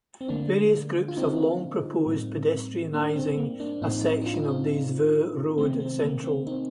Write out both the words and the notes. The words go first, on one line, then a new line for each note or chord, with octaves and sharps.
Various groups have long proposed pedestrianising a section of Des Voeux Road Central.
C4
D3 F3 A3 A#3 D4
F4
C4 D#4
A2 G3 A#3
A#3 D4
C4
A#3
A#3 D4
A2 F3 A3 C4 D#4
C4 D#4
D#4
D4 F4
C4 D#4
C3 D#3 A3 C4
C4
A#3
C4
C4 D#4